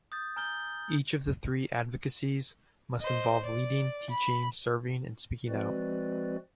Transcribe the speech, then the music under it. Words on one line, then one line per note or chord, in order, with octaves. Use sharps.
Each of the three Advocacies must involve leading, teaching, serving, and speaking out.
D#6 G6 A6
G#5 A#5 F6 G6 G7
C5 D#5
D5
B5
F3 G#3 C4 F#4 B4 D5